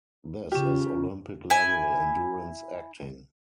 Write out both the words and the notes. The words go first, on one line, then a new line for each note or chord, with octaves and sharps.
This is Olympic-level, endurance acting.
C#3 C#4 F4 G4
E4 G#5